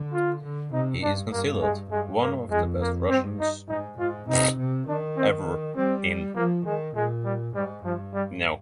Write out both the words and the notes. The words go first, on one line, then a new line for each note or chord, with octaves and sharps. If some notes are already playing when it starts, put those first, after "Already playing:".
He is considered one of the best Russians ever in each of those sports.
Already playing: D3
F4
D3
C3 D#4
G2 D4
G2 A#3
G#3
G2 G#3
A#3
F2 G#3
A#3
G2 C4
D#4
G#2 D#4
G#2 F4
C3 D#4
C3
D#3 D4
C4
G3 C4
F3 A#3
D#3 G#3
A#2 G#3
G3
G#2 G3
G2 F3
G3